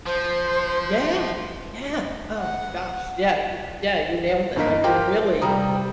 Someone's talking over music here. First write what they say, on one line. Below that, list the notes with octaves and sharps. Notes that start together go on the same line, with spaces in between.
Yeah. Yeah. Oh gosh, yeah, you yeah, you nailed it. I mean, really,
F3 C5
F#5
G1 A#3 D#4 A#4 D#5 B6
F4 G4 A#4 C5 G5
C3 G3 D5 A#5 D#6